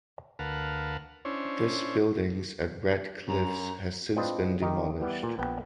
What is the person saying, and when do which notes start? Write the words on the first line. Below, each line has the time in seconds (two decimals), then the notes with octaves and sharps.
This buildings at "Red Cliffs" has since been demolished.
0.39 D2 A#4 B4 F5 F#5 A5
1.25 C#4 D4 E4 C5 C#5
3.28 F#2 A#5
4.16 C4 D4 F4 B4 D#5
4.62 D#3 D#4 G4
5.00 E3 G3 B3
5.23 A#2
5.38 A#1 B3 G5